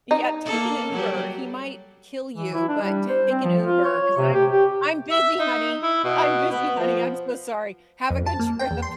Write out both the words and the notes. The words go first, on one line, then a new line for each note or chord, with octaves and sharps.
Yeah, "Take an Uber, he might kill you, but take an Uber, 'cause I'm I'm busy, honey. I'm busy, honey. I'm so sorry. Have a good trip."
D#4
A#3 A4
F#3 G3
E3
E4
D4
G3
C5
C4
F3
F4
C#5
C3
G4
G4
E5
D#4
E4
B2
B3
F3
F2
A5
A#3
G5
E2
C6